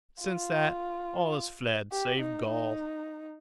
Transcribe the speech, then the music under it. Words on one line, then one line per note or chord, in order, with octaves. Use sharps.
Since that, all is fled, save gall.'
F4
G4
D#4
D#4